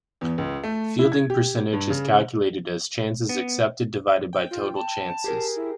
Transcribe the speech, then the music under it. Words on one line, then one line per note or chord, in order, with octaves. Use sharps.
Fielding percentage is calculated as chances accepted divided by total chances.
E2
C#2
A3
E4
G#6
G4
G2
C#3
B3
G5
F4
A5
G4 G#4 A#4
E4